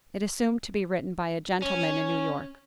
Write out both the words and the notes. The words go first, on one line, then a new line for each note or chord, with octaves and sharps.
It assumed to be written by a gentleman in New York.
C#4